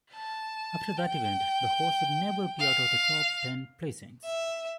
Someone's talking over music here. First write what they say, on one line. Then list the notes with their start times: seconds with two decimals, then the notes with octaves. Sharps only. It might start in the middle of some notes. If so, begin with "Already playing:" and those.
After that event, the horse would never be out of the top ten placings.
0.15 A5
0.97 G5
2.60 F5
4.25 E5